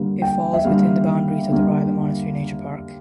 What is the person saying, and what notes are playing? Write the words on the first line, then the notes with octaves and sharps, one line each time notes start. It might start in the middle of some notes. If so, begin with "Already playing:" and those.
It falls within the boundaries of the Rila Monastery Nature Park.
Already playing: D3 G3 A#3
G5
E5
D3 G3 A#3 F5
D3 G3 A#3